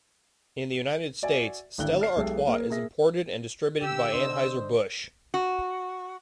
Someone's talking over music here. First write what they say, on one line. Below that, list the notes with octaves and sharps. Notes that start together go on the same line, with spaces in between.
In the United States, Stella Artois is imported and distributed by Anheuser-Busch.
F#4 D5 E5 G#5
G#1 D3 E4 F#6 G7
D5 F6 C7
B1 G#3 G4 A4 E5
A#3 G#4 A#4
A#3 G#4 E5 A#6
D3 G4 E6
D4 C5 D#5
F#4